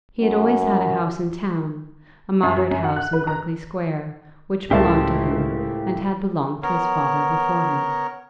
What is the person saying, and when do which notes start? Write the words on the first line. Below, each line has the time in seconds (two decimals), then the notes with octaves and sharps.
He had always had a house in town--a moderate house in Berkeley Square, which belonged to him, and had belonged to his father before him.
0.21 F#2
2.43 F#2
2.57 F#3
2.71 F#2
2.84 F#5
2.96 F#6
3.13 B4
3.27 A#5
4.71 C#2 A2 C#3 E4 G4 A#4 C5 A5
6.63 B3 A#4 C#5